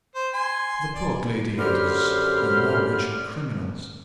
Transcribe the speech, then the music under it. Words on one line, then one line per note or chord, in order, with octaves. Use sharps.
'The poor gladiators, and more wretched criminals!
C5
G#5 C6
D5
F#2 D3 G4 C5 B5 F6